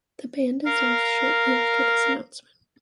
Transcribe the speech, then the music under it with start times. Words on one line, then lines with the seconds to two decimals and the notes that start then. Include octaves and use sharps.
The band dissolved shortly after this announcement.
0.65 A#4 F5